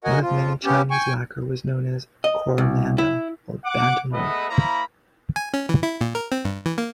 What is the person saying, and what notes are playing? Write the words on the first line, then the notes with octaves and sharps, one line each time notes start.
One of many Chinese lacquer was known as "Coromandel" or "bantomwork".
F#4 A#4 D#5 F#5 G#5
F2 F3 F4
C#3 B3 C#4 G4
G5 G#5 C#6
D#5
C2
E4
F#5 D6
G#3 A3 B3 B4 D#5 E5
A#3 E4 C5 A#5 B5
G#5
C#4
E3
E4
A#2
A#4
C4
G2
E3
A#3